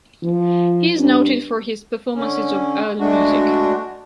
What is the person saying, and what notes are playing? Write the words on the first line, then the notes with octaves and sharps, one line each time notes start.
He is noted for his performances of early music.
F3
G2
D3 C#4
G#3 A3 D4 F#4